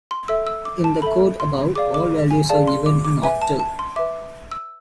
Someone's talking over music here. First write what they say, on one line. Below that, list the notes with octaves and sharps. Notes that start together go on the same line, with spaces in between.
In the code above, all values are given in octal.
C6
A4 E5 E6
E6
D6
A5
A4 E5 B5
C6
G#4 D5 F5 D6
D6
G#5
G#4 D5 F5 A5
C6
D6
D6
B4 E5 G#5
A5
A5
C6
B4 E5 D6
E6